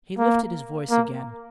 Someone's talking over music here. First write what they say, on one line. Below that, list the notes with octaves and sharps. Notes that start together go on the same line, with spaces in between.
He lifted his voice again.
A#3
A#3